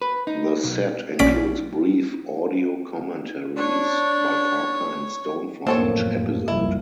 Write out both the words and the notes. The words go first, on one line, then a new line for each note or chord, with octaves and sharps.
The set includes brief audio commentaries by Parker and Stone for each episode.
B4
D#4
B1
A#1 C#4 D5 B6 D7
D4 C#5
F#1 F2 A2 A#3 C4 A4 C#5
F#1 C2 F2 E4